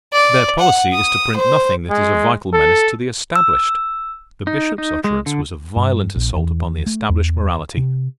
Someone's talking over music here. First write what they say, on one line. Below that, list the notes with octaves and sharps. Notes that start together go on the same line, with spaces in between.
Their policy is to print nothing that is a vital menace to the established. The Bishop's utterance was a violent assault upon the established morality.
D5
F#5
D#6
C5
G#3
A4
E6
D#4
D#4
G#3
D3
G2
A#1
E2
A3
E2
C3